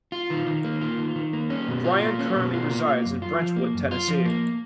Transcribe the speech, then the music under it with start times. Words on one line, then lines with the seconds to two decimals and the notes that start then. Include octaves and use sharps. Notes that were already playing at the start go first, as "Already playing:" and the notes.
Brian currently resides in Brentwood, Tennessee.
0.12 F4
0.30 D#3
0.47 D#3
0.64 A#3
0.81 F4
0.99 D#3
1.16 D#3
1.33 A#3
1.50 C#4
1.68 B2
1.84 F4
2.02 A#3
2.19 C#4
2.36 B2
2.54 F4
2.71 A#3
2.88 A#3
3.05 F#2
3.22 F4
3.39 F3
3.56 A#3
3.74 F#2
3.91 F4
4.08 F3
4.25 A#3